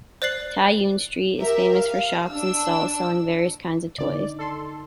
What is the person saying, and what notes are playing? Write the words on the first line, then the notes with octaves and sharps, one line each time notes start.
Tai Yuen Street is famous for shops and stalls selling various kinds of toys.
C5 D5 F#6 A6 C7 F#7
G4 A#4 E5
F5
D4 E6
D3 D#4 D5
A4 C6